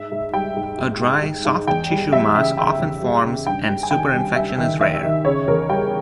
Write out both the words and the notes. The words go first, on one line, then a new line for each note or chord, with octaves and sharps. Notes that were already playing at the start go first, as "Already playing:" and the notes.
A dry soft tissue mass often forms and superinfection is rare.
Already playing: G#2 E5
G#2
G3 G5
G#2
G#2
G#2
G#2
G#2
E2 G5
G3
G3 E5
C#3
C#3 G5
E2
G3
C#3
G2 G5
G3
G#5
D#3 G5
G3
G3 E5
D#3
D#3 E5
D#3
C#3 C#5
E2 A#4
G3 G5